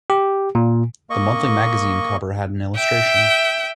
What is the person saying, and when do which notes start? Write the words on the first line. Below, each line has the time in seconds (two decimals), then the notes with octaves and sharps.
The monthly magazine cover had an illustration.
0.10 G4
0.55 A#2
1.10 A#3 D#5 C#6
2.76 E5 G5